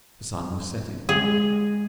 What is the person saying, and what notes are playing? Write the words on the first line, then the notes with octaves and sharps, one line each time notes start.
The sun was setting.
G#3 G#4